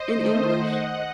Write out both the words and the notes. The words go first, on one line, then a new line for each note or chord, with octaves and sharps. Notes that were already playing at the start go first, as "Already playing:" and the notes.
in English?
Already playing: C5 D#5
D#3 A3
D#5 F#5